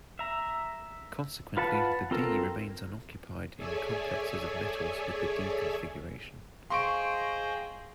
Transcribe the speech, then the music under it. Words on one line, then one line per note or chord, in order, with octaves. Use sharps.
Consequently, the d remains unoccupied in complexes of metals with the d configuration.
E5 A#5
F4 B4 F#5 A5
C4 F4 A4 A#4
G#4 A4 C#5 D5 E5 G#5
G#4 C5 D#5 F5 G5 C6 C#6 D7